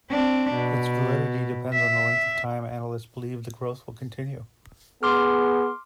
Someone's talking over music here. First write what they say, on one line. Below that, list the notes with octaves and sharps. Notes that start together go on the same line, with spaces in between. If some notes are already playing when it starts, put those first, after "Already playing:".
Its validity depends on the length of time analysts believe the growth will continue.
C4 D4
B2
E5
B3 G#4 C6 D6 F6